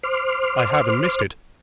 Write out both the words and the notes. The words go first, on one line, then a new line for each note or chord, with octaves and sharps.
'I haven't missed it.
C5 C6 D6 F6